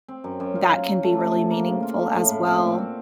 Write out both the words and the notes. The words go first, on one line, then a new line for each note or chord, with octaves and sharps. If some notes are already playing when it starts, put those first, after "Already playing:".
that can be really meaningful as well.
C4
F#2
F#2
F4
F#3
F#3
A3
C3
C3
A#3
C#3
F4
A3
A2
A2
C4
A#2
F#4